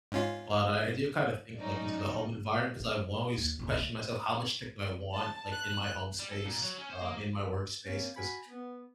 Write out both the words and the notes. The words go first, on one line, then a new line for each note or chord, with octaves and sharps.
but I I do kind of think, like, into the home environment, 'cause I will always question myself how much tech do I want, like, in my home space, um, in my workspace, 'cause
G#2 C#4 F4
A2 F#3 C#4 D#4 D5
E3
D#2
A1 D#2
D3 A3
A5
F#6
G3
A4
A#2
F#3
C#4
C5
A#3
A#3 C4 C#4
F#4 G#5 B5
B3